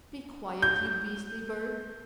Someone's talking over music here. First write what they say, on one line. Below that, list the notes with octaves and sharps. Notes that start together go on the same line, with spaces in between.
"Be quiet, you beastly bird!"
G6